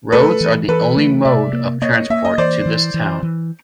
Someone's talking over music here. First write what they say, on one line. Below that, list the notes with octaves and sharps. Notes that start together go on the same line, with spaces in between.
Roads are the only mode of transport to this town.
A3 A4 B4
E3
E3 A4 B4
A3
C3 D5 E5
A#3
A#3 C#5 D#5
A#3 E5
D#5
E3 C5 D5
E3
E3
E3